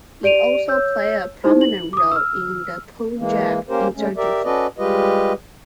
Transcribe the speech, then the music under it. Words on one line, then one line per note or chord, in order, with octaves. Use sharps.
It also played a prominent role in the Punjab insurgency.
G4 D5 D7 D#7 F7
C#5 E6 G6
D#4 E4 G4 C5
F#7
D6 D#6
E6 F6
E3 G#3 A#3
A#3 C#4 G4 A#4 C5
G#3 A3 C#4
G4 A#4 D5 E5
C#4 F#4 A4 B4 D5 D#5
G3 G#3 F4 G4 B4 D#5